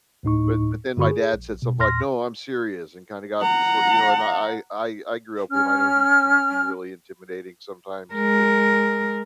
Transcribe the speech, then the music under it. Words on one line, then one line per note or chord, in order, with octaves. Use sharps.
but but then my dad said something like, "No, I'm serious," and kinda got sl you know, and I I I grew up with him. I know he can be really intimidating sometimes even
D2 A2 D#4 C#6
G2 D3 F#4 B5 C#6
G#4
A#1
B2
E2 A#2 C6 F6 A#6
F#5 A#5
C#4 F6
G#3 A#4